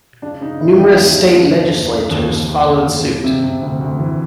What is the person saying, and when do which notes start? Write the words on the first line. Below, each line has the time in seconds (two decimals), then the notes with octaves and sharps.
Numerous state legislatures followed suit.
0.22 C#3 D4
0.41 C#3 D#4
0.60 C#3 E4
0.79 C#3 D#4
0.98 D#2 D#4
1.17 D#2
1.36 F3
1.55 F3
1.74 D#2
1.92 C#3
2.11 D#2
2.30 D#2
2.48 D#2
2.68 C#3
2.86 D#2
3.06 C#3
3.24 C3
3.44 C3
3.61 D2
3.81 D2
3.99 E3